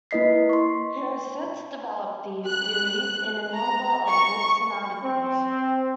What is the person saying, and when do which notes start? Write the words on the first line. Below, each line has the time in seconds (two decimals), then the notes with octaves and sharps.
He has since developed these theories in a number of books and articles.
0.11 A#3 E4 B4 D#5 B6 C7
0.49 C6 C#6
2.46 F#6
3.52 A#5
4.08 C#6
5.03 C4